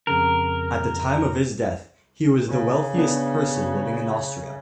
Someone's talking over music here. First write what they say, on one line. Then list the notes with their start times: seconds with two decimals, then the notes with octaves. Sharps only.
At the time of his death, he was the wealthiest person living in Austria.
0.07 F2 C#3 A#4
2.48 C#3
2.95 B3 D4